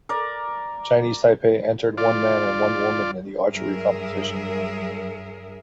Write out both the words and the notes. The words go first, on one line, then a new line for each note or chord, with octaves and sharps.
Chinese Taipei entered one man and one woman in the archery competition.
A#4 D5
F4 D5
G2 F#3 G#4 A#4 E5